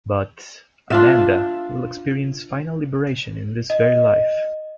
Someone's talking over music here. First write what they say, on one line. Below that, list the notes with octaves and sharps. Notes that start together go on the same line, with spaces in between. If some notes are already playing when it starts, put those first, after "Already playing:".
But...Ananda will experience final liberation in this very life.
D4 F4 E5
D#5